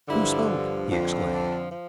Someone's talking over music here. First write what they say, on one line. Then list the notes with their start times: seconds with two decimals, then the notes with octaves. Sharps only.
"Who spoke?" he exclaimed.
0.07 G2 D3 F3 E4
0.89 F2 D3 F3
1.31 D4
1.71 F3